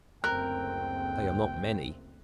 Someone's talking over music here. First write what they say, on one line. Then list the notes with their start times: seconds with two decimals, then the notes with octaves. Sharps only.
They are not many.
0.24 F#1 D2 C4 A#4 G5 F#6